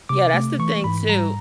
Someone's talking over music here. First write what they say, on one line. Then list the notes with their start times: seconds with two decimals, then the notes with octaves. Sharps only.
Yeah, that's the thing, too
0.09 C3 D6
0.34 A3
0.59 E3 C#6
0.84 G#2 B5
1.09 G3 A#5